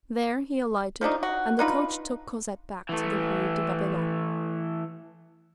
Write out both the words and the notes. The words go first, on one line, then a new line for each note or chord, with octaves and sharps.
There he alighted, and the coach took Cosette back to the Rue de Babylone.
F3 A3 D4 D#4
F#4
D4 D#4 F4 B4
E3 A3